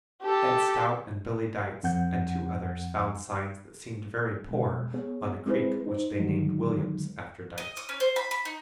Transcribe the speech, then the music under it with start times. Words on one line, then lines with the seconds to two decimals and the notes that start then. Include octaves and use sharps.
Ed Stout and Billy Deitz and two others found signs that seemed very poor on a creek which they named William's after Deitz.
0.22 G4 A4
1.83 F2 F#5 G6
4.48 B2 G#3
4.94 B3 G#4 C#5
5.46 G#3 C4 E4 G#4 B4 C5
5.86 D#4 C5
6.19 D3 D#3 F#3 G#3 D#4
7.58 D#5
7.77 D#6
7.89 C#4
8.00 C5
8.16 B5
8.31 B5
8.45 D#4